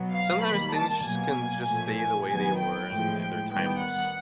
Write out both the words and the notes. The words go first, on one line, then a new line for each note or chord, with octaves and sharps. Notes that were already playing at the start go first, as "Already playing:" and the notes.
Sometimes things sh can just stay the way they were and th they're timeless,
Already playing: B2 F#3 B3
F5
D#3 G3 A#3 B5
A5
B2 F#3 A#3 G#5
A#2 F3 A3
G#5
D#3 F#3 B3 G#5
G5
A2 F3 G#3
D#3 G3 B3 G5
F#5